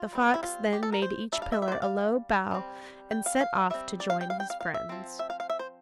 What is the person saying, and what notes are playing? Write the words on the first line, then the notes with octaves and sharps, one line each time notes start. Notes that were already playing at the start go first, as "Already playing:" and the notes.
The fox then made each pillar a low bow, and set off to join his friends.
Already playing: F4
G3 C4
E4
F4
G4
A4
A#4
C5
G3 D4 E5
F5
E5
E5
C5
D5
F5
G3 C4
G5
F5
F5
G3 C4 E5
D5
F5
G5
F5
G5
F5
F5
E5
F3 C4
E5
F5
F5
E5
C5